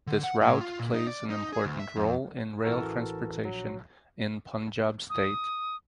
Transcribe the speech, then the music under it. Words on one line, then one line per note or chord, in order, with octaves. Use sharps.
This route plays an important role in rail transportation in Punjab state.
D3
F#5
A2
F4
A#2
D#4
D5
D#4
G#4
D2
E5
F2
A1 E3 F#4 A4 A#4 A5
A#1 F#3
D#6